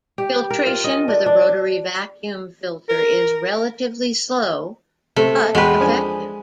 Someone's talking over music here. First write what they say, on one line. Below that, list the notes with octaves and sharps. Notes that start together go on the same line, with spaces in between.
Filtration with a rotary vacuum filter is relatively slow but effective.
G4
A#4
F4
D#5
D4
D4
A#4
C3 A3
E2 G#3 F#4 B4 G5
F3 D4 G#5